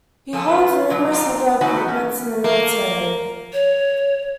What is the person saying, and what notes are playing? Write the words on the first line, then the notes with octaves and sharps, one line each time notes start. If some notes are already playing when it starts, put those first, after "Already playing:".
He holds numerous other appointments in the military.
F3 A4 G#5
F4 B4
B2 F#3
D4 F4 F#5 A#5
E3 F#3 B3 D#4 F#4 G#5
C#4
A#3
C#5